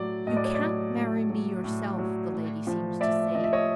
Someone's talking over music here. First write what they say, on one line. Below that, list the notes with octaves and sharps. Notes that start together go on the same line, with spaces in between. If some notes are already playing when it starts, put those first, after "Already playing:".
"You can't marry me yourself," the lady seems to say.
Already playing: A2 F#3 D5
A2 D#5
D5
C#5
D5
F#3
A2
F#3
A2
F#3
A2
F3
A2 D5 E5
F3 D#5
E5
C#5 D#5